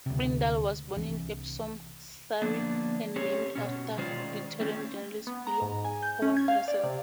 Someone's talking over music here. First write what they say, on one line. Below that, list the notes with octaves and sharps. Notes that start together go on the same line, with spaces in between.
Frindall was born in Epsom, Surrey and named after Victorian journalist William Howard Russell.
D2 C3
C2 E3
D3 F3 A#3 B3 D4
C4 C#4 G4 A4 C#5
B2 C#4
D#3 G#3 C#4 F4 C5 D5
A3 C4 C#4
B3
A#5
G#2
G#5
G6
C#4
G#6
F5
D5
C3